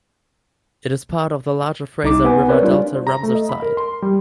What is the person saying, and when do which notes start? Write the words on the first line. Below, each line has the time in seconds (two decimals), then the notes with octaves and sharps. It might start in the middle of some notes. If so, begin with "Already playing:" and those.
It is part of the larger Fraser River Delta Ramsar Site.
2.03 C2 D#4 D6
2.24 B3 B4 G#5
2.48 C4 A#4 B4 C#5 D5
2.62 G3 D4 F4 D5
2.95 C5
3.07 A#5
3.23 A3
3.35 D#5
3.49 B5
3.62 A#4
3.77 C6
4.02 G3